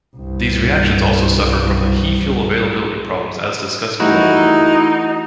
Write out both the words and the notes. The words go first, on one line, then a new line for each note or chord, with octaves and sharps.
These reactions also suffer from the He fuel availability problem, as discussed below.
C2 G2
E3 G3 A3 D#4 E4 F#4